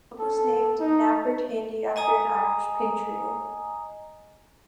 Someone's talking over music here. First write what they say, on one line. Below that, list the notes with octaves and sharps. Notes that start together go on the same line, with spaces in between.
The club was named Napper Tandy after an Irish patriot.
A4
D#4
D#5 G#5 A#5 D#6